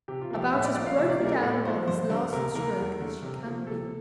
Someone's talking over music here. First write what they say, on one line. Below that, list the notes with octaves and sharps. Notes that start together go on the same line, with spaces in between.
'About as broken down by this last stroke as she can be.'
C3 G4
F4
F3 A#3 G4
A2 E5
D5
F3 A#3 D5
F5
C3 E5
D5
G3 A#3
A#4
A4
A2 A4
F3 A3 C5
G2 C5
D3 G3 A#3
C3 A#4
E3 A#3 A#4
E2
D3 A3
C3
F3 A3
C3 A4